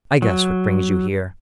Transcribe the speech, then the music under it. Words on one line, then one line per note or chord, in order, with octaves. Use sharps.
'I guess what brings you here.'
F#3